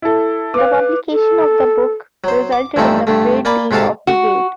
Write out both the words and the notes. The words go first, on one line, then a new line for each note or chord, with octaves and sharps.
The publication of the book resulted in a great deal of debate.
E4 A4
B4 F5 D6
A4
F#3 C5
D6
G2 E3 F3 A3 C4 D#4
G2 D3 A3
A#3 D5 G#5 B5 D6
G#2 C3 F#4 A4 F5 A5
F#4